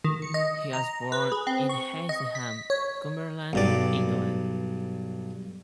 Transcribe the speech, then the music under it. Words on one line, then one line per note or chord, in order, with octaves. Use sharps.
He was born in Hensingham, Cumberland, England.
D#3
C#7
D#5
A#5
B4
G#4
C4
C#6
D#5
B6
C#5
B1 G2 D5